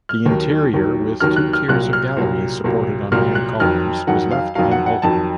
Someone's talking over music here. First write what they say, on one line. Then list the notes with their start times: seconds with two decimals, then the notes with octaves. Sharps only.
The interior, with two tiers of galleries supported on iron columns, was left unaltered.
0.09 F6
0.26 D#2 D#3 F#3
0.74 D#2 D#3 F#3
1.20 D#2 D#3 F#3 F6
1.36 F#6
1.53 F6
1.68 C2 A#2 F#3 F#6
1.93 F6
2.17 C2 A#2 F#3
2.64 C2 A#2 F#3
3.12 C2 A#2 F#3 F6
3.35 F#6
3.59 F2 D#3 F#3 F6
4.07 F2 D#3 F#3 F#5
4.31 F5
4.55 F2 D#3 F#3 F5
4.71 F#5
4.86 F#5
5.02 F2 D#3 F#3 A5